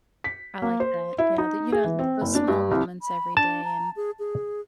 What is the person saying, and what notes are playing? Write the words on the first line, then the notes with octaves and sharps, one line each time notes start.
I like that, yeah, the you know, those small moments every day and,
B6
A#3
C5
E4
D#4
G#4
E3
C4
F#1
D4
G2
C2
B5
D4 A5
A#5
G#4
G#4